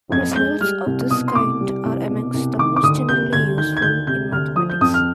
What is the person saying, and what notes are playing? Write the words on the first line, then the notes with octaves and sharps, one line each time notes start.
Results of this kind are amongst the most generally useful in mathematics.
F2 G#6
G#3 G6
G3 F6
C2
B2 D#6
C6
C2 D6
G3
C2
B2
C2
D#3 D6
D6
D2 D#6
C3 G6
D2 G#6
D#3 G6
G#6
D2 G6
C3 G6
D2 F6
F3 D#6
G6
F2 D#6
F6